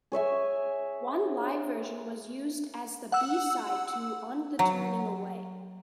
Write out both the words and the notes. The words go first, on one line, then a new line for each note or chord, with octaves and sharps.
One live version was used as the B-side to "On the Turning Away".
G#4 C#5 E5 G#5
F#5 E6
F#3